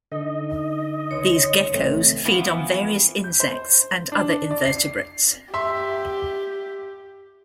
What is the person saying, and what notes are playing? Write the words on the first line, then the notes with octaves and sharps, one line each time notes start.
These geckos feed on various insects and other invertebrates.
D3 D#4 D#5
C#2 C#5
A1 A3 C4
E3 F3 B3
G6
C5
D4
D5
C7
G4 E5 C6